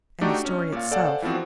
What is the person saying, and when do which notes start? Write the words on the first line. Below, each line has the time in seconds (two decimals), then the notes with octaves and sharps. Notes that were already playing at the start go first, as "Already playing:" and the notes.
And the story itself.
0.21 A3 D4 D#4 F#4 G4 A4
0.45 C#4
0.72 A#2 F5
0.91 A4 C5 D5 F5 F#5 G#5
1.22 E3 F3 B3 C4 F#4